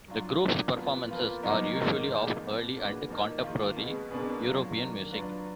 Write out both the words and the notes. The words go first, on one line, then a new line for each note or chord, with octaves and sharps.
The group's performances are usually of early and contemporary European music.
F#3 D4 F4
A#2 F#3 D4
F3 B3 F4
F3 A#3 F4 B4
A#2 F#3 B3 D#4 A#4
G#2 D#3 A#3 D#4
A#2 F3 G#3 D#4
F2 F3 B3
A#2 G#3 D4 F#4 B4
A#2 F3 A#3 D#4
D#3 A#3 F4
B2 G#3 B3
B2 A#3 D4 G#4 B4
F#3 D4 F4
D#3 F#3 A#3 D4
F#3 D4 F4 B4